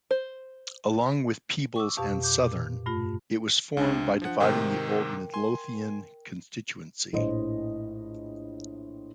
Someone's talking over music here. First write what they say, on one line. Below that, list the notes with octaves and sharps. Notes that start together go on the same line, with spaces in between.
Along with Peebles and Southern, it was formed by dividing the old Midlothian constituency.
C5
C#6 D6 E6
F2 B2 G4 F5 A5 C#6
D6 G6
A#2
G2 A3 F4
C#2 C3 D4
F3 F#5
G#2 C3 D#3 A#4 G5
G#5 C6
A#1 A2 E4 C5 D#5